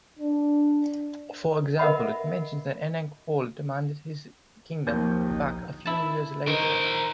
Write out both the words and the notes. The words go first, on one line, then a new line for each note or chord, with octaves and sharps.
For example, it mentions that Anangpal demanded his kingdom back a few years later.
D4
A#4 B4 D#5 E5 F#5 B5
D#2 D#3 F3 G6
A#1 D#4
E4 A5
D#3 A#4 C5